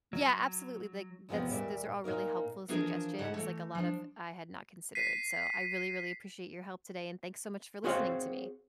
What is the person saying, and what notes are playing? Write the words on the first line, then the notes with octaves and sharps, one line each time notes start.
Yeah, absolutely, like, that's those are all really helpful suggestions, like, a lot of I had not considered, so, I really, really appreciate your help today, and thanks so much for listening to me.
F#3
E2 C3 F3 G#3 B3 F#4
D#2 A#2 G3 D5 E5
A#2 A#3 D#4 A#4
E3 F3 D4 F4 G#4 A#4
G#2 C#3 G#4 F#5 A5
E3 A3
F3 D4
B6 C7 D#7
C4 F#4 G#4 C5 C#5 F5